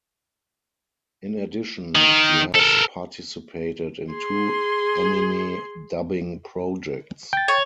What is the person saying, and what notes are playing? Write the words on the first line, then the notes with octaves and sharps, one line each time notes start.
In addition, she has participated in two anime dubbing projects.
D#3
A4 A#4
G#4 C6
G5 A6
C#5